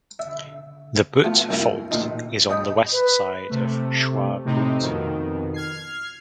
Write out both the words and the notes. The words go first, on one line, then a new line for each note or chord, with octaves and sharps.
The Butte Fault is on the west side of Chuar Butte.
E5
A3 B3 F4
C2 F#2 A#3 E4 G#5
A1 A#2 D#4
C#4 G#4 D#5 G5 B5
B4
C3 A3
A2 C3 C4 D#4
F2 B2 D#3
F6 G#6 C7